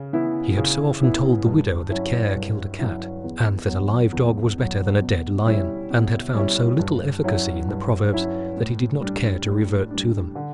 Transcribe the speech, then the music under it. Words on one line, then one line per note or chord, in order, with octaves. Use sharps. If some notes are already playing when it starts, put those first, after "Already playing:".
He had so often told the widow that care killed a cat, and that a live dog was better than a dead lion; and had found so little efficacy in the proverbs, that he did not care to revert to them.
Already playing: C#3
E3 B3 E4
C#3
E3 B3 E4
G2
F#3 C#4 E4
G2
F#3 C#4 E4
E2
B2 F#3
E2
B2 F#3
B2
G3 C#4 E4
B2
G3 C#4 E4
G2
F#3 C#4 E4
G2
F#3 C#4 E4
A2
G3 D4
A2
G3 D4
D3